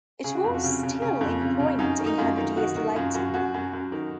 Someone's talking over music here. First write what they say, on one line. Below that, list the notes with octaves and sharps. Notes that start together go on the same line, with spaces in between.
It was still in print a hundred years later.
C#3 G#4
F#4
F2 F4
F#4
C#3
C#3
C#3
F2
C#3
C#3
F#2 D#4
D#3
D#4
F#2 F4
D#3
D#3 F#4
D#3 F#4
F#2 F4
F#2 F#4
F#2 F#4
F#2
F#2
D#3